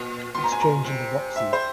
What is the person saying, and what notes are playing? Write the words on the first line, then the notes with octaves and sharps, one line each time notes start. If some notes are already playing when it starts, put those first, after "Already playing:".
Exchange, and The Roxy.
Already playing: A#2
A#2 C6
A#5
G#5
A#5
C3
E5
C5